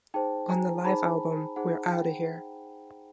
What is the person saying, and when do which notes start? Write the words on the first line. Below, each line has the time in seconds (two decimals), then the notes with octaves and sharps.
On the live album We're Outta Here!
0.14 D#4 G#4 C5 G5 A5
0.49 G#5 A#5
0.85 D#4 G#4 C5 A5 B5
1.56 D#4 G#4 C5 F#5
1.92 G5